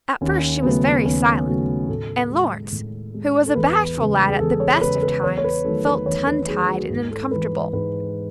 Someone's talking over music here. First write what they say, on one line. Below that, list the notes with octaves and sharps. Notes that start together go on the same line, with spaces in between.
At first she was very silent, and Lawrence, who was a bashful lad at the best of times, felt tongue-tied and uncomfortable.
D#2 C#4
C#3 F#3 A3 B3
D#2 C#4
C#3 F#3 A3 F#4
A2 A4
G#3
A2
G#3
A4
E2 B4
C#3 G#3
G#4
E2 A4
C#5
C#3 G#3 B4
B4
E2 C#5
C#5
B4
D#3 F#3 A3 A4
B4
E2 C#5
B4
D#3 F#3 A3 G#4
F#4
G#2
A4
E3 G#3 B4
G#2 B4